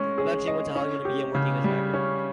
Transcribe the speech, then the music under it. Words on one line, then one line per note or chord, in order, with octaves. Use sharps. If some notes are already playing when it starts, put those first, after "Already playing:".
Eventually he went to Hollywood and began working as an actor.
Already playing: G#3 C#4
G#4
D#5
C#4
G4
C#3
G3
C#4